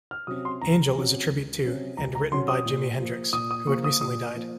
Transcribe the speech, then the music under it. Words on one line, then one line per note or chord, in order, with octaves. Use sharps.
"Angel" is a tribute to, and written by Jimi Hendrix, who had recently died.
F6
C3 F#3 C#4 D#6
C6
C#2 A#5
C3 F#3 C#4
C#2
C3 F#3 C#4
C#2 A#5
A#5
C3 F#3 C#4 C6
D#6
A#2
F3 A#3
A#2 D#6
D#6
F3 A#3 C#6
D#6
A#2 D#6
F3 A#3